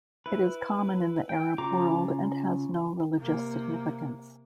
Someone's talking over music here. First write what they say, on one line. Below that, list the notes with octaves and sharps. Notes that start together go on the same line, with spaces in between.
It is common in the Arab world and has no religious significance.
E4 B4
G5
C#3 F4 A#5 D6
C3 A#3